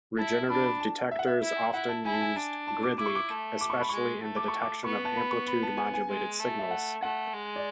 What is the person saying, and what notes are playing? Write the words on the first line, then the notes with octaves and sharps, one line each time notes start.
Regenerative detectors often used grid leak, especially in the detection of amplitude modulated signals.
E4 A5
D4 B5
B5
A5
E5
F#5
E5
E4
E4 F#5
A5
E4 G#5
A5
G#5
D4
A5
D6
E4 D6
C#6
D6
A3
D6
C#6
B5
G#3 C#6
A3
D6
C#6
D6
B3 C#6
A5
B5
C#6
B5
A5
G#5
G#5
G#3
A3
E5
F#5
A3 F#5
G#3
D5